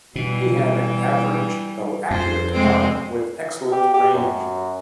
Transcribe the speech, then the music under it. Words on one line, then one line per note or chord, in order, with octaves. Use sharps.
He had an average, though accurate, arm with excellent range.
B2 E3 G3
F2 C5
C3 G#3 C4
G4
G4
F#2